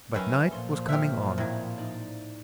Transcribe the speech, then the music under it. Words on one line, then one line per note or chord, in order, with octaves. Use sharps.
But night was coming on.
D#3 E3 F#3 C#4
A#2 F3 A4 C6
G4 A#4 E5 F6
A2 C3 D#3 E4 G#6
D#4 D5